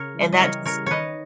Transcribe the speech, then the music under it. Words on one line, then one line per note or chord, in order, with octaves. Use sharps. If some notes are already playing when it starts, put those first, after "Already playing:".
And that just
Already playing: C#3 A#4 C#5
E3 G3
D#5
C#3 A#4 C#5
E3 G3 A#4 C#5
D#3 B4 C#5 D#5